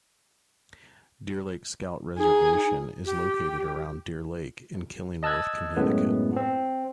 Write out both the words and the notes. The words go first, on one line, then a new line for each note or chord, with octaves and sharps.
Deer Lake Scout Reservation is located around Deer Lake in Killingworth, Connecticut.
D#4 G#4
G4
D#5 A5 E6 F#6 G#6
F#2 A2 G#3 B3
C4